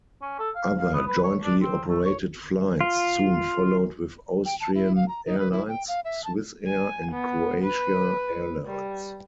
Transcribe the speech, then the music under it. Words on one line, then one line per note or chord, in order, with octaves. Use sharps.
Other jointly operated flights soon followed with Austrian Airlines, Swissair, and Croatia Airlines.
C#4
A4
F5
F5
B3
B4
C#5
D4
C4
A3
C#5
F4
G5
A5
E4
F5
A#5
D#4
B4
E4
G5
F5
E5
A5
G#5
B3
B4
G3